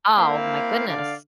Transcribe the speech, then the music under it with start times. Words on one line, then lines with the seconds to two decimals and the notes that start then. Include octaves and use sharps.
Oh my goodness.
0.17 A#3 C4 E4 F5
0.88 D3 D5 F5